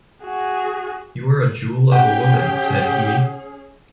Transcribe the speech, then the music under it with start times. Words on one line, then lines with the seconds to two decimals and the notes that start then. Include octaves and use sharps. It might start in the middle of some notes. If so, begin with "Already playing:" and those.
"You are a jewel of a woman," said he.
0.24 F#4 G#4
1.92 C#4 G4 G#4 F#5